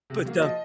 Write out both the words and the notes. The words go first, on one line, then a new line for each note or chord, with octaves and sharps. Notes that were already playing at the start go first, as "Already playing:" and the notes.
But, um
C3
F#3 A#3
F3 D#5